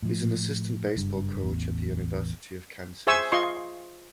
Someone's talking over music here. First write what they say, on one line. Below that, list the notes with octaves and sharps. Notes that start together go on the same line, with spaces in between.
He is an assistant baseball coach at the University of Kansas.
A2 F3
F#1 G2
A1 E2
G#4 C5 E5 G#5 C#6 E6
F4 D#5 C6 C#6